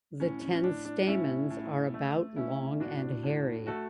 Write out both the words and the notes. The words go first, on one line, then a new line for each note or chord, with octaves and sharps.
The ten stamens are about long and hairy.
A2 C#4
C#4
C#4
A2 D4
D4
A2 C#4 E4
A2
A3
A3 C#4 E4
A2 D4 F#4
A2
A3 F#4 A4